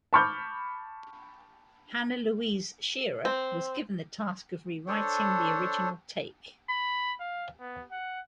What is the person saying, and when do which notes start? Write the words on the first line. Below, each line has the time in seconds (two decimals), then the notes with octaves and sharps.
Hannah Louise Shearer was given the task of re-writing the original take.
0.13 A5 B5 C#6 D6 F6 G6
3.25 C4
4.88 D4 A4 C5 C#5
6.69 B5
7.20 F5
7.59 B3
7.91 F#5